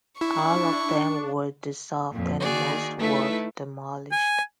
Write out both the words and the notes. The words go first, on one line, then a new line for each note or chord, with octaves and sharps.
All of them were dissolved, and most were demolished.
D4 E4 C#6
F2 A#2
D#3 A#3 D#4 F#4 G#4 D5
A3 D#4 E4 A4 B4 E5
G#5